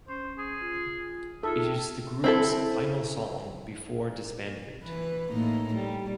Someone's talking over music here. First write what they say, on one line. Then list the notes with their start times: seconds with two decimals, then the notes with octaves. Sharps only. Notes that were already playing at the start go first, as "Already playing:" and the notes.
It is the group’s final song before disbandment.
0.08 C#4 C5
0.38 G#4
0.60 F4
1.43 D#4 F4 G#4 A4 E5
1.62 G5
2.24 C4 E4 A4
4.84 E3 B4
5.32 A2 A#3 D#4
5.75 G3